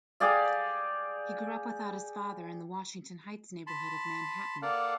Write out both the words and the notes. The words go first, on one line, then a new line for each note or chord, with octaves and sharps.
He grew up without his father in the Washington Heights neighborhood of Manhattan.
G4 G#4 D5 F5
A5 B5 C6
A#3 A4 D5 F5 F#5